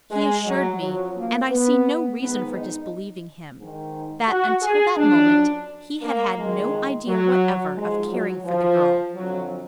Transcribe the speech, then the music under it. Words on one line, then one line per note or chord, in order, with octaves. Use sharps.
He assured me--and I see no reason for disbelieving him--that until that moment he had had no idea whatever of caring for the girl.
G#3
F#3
F#2 F3 F#3
A#3
B3
G#2 D#3 B3
D#4
G#2 D#3
F#4
G#4
F#2 F3 D4
A#3
F2 D#3 G#3
F#3
G#2 F3 G#3
F#3
F3
F2 D3 F3 F#3